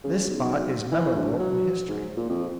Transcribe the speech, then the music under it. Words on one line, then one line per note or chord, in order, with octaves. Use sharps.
This spot is memorable in history.
C#3
B1
E3
D2
F#3
G#2
A#2
F2